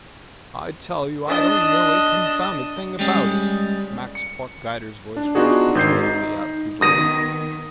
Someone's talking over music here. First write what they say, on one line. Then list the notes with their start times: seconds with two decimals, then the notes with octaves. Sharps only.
"I tell you, I don't know a confounded thing about it," Max Pottgeiter's voice rose petulantly at the door.
1.27 D4 D#5
2.99 G3 G#3 C#4
4.15 C#7
5.17 D4
5.35 B3 D4 D#4 F4 F#4 G#4
5.75 G#1 G6 C7
6.03 D#4
6.81 D#3 B3 D#6 A#6 D#7